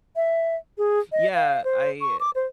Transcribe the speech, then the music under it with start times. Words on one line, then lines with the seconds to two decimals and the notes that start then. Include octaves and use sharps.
Yeah, I
0.16 E5
0.78 G#4
1.12 D#5
1.35 F5
1.64 C5
2.01 C#6
2.20 D6
2.35 C5